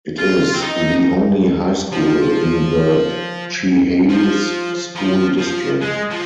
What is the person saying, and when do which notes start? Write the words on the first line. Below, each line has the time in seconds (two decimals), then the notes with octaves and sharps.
It is the only high school in the Chehalis School District.
0.19 F4
0.54 C4
0.62 D#4
1.92 F3
4.09 F3
4.96 F3
5.38 F3
5.81 G#3
6.10 F3